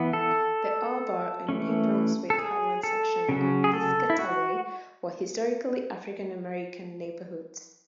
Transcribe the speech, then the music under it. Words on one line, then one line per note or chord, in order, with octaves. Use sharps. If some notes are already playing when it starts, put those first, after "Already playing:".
The Arbor and New Brunswick Highland sections of Piscataway were historically African American neighborhoods.
Already playing: E3 B3
A4
E3 A3 C#4
A4
G#4
A4
C#3 F#3 C#4
G#4
A4
E4
F#4